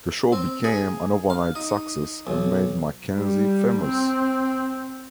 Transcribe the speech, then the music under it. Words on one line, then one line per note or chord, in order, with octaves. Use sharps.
The show became an overnight success and made McKenzie famous.
C4
G#4
F5
D#4
B1
G3
C4